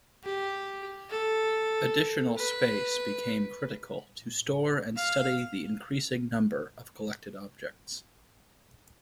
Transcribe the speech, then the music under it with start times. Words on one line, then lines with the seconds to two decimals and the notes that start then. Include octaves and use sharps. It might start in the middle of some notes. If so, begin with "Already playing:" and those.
Additional space became critical to store and study the increasing number of collected objects.
0.24 G4
1.10 A4
2.38 B4
4.96 F5